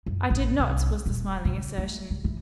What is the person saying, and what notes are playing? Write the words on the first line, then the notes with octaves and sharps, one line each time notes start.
"I did not," was the smiling assertion.
F#2
A1
C2
D#1
C#3
A3
C#3
E3